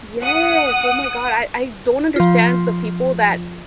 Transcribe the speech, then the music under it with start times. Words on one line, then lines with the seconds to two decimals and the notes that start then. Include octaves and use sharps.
Yes, oh my god, I I don't understand the people that
0.23 F#5 D#6
2.16 F3 F4